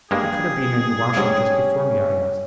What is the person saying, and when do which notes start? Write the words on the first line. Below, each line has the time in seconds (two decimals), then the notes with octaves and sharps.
"Who could have been in the washroom just before me?" I asked.
0.11 G2 G3 G#3 A#3 G#4
1.17 G#2 D3 G3 C#4